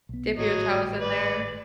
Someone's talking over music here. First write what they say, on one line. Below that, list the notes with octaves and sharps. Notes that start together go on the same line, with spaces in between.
Dip your toes in there,
B1 B3
G#1 A2 F#3 D#5
B4 D5